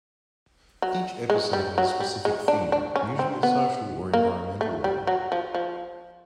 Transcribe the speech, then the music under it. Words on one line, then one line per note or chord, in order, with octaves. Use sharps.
Each episode had a specific theme, usually a social or environmental one.
F#3
G#3
G3
F#3
G3
G#3
D4
D4
C#4
C4
B3
A#3
A3
G3
F#3
F3
F3